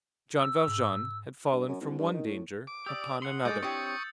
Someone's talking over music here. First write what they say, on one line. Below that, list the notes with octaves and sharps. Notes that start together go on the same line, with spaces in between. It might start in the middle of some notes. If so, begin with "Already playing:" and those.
Jean Valjean had fallen from one danger upon another.
E6
G#2
G2
F#2
C2
G2
D#3
A2
D6
G4 D5 D#6 E6
F#5 C6 C#7 F#7
G#3 A3 D#5 D6 G6 A6
C4 D4 E4 G4 C#5 C#6 D#6